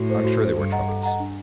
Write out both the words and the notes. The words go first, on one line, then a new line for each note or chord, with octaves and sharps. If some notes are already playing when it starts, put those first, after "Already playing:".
I'm sure they were trumpets.
Already playing: A2 F#4
A4 C5
F#4
A4 C5
G2 A4
D#5 F#5 A#5
A4
D#5 F#5 A#5
D4